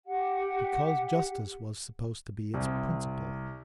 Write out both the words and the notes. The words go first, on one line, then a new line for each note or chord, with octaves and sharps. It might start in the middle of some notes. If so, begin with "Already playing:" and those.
Because justice was supposed to be its principle.
G4 F#5
C2